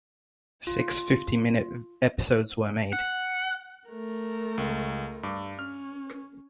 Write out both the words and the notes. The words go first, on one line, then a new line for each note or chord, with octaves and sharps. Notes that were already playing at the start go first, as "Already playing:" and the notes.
Six fifty-minute episodes were made.
F4
F#5
A3 A#4
C#2
G2 D6
C#4 F6